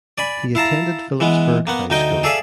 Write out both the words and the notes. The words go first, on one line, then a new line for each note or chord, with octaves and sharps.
He attended Phillipsburg High School.
D5 G#5 B5
E4 F5 A5 A#5
E3 G#3 B3
A#3 B3 F#5
D2 D#4 D#5 G5
G#4 A4 D5 E5 F5 G#5